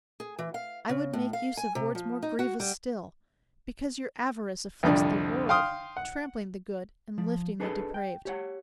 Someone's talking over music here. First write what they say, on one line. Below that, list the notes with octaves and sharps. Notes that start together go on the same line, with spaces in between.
I would make use of words more grievous still; Because your avarice afflicts the world, Trampling the good and lifting the depraved.
G#4
E3
F5
C#3
A2
F5
G#5
C3
F3
D#4
F#4
G3
C2 F2 D3 D4
F5 G5 C6 D#6 F6
F#5
F3
D4 G#4 A4 B4 D5 D#5
G5
G4 C#5 F#5